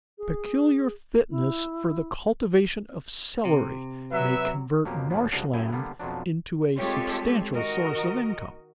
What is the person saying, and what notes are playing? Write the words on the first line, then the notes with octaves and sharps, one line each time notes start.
Peculiar fitness for the cultivation of celery may convert marsh land into a substantial source of income.
G#4
E4
C3
F#3 B4 E5
F2 B2 F#3 A#3 G4
A#1 D#2 A2 F3 A#3 B3
C2 C#3 D4 F#4 D#5 F5
F#2 A2 E4 G#4 G5 G#5
D3 G3 A#3 B3
F2 B2 F3 F#3 D4
G#3 C4 F4 G4 A4 C#5
D#3 F#4 A#4 D#5